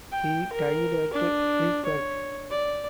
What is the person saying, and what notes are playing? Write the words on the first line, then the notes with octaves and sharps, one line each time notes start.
He died at Freiburg.
G5
A#4
D4
C#5
D5